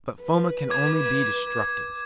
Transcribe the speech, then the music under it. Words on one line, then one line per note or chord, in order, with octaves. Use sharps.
But Foma can only be destructive.
B4
D6 G#6